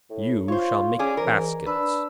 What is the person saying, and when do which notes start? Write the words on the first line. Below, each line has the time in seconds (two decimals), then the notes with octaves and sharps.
You shall make baskets.'
0.10 A2
0.48 F4 C5 C#5
0.99 C#4 G#4 D5
1.17 G#2 E3 A#4
1.66 D4 B4 E6